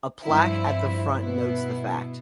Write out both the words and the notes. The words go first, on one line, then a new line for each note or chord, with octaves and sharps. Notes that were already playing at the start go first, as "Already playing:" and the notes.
A plaque at the front notes the fact.
G2 F3 C4 E4
B2 B3 E4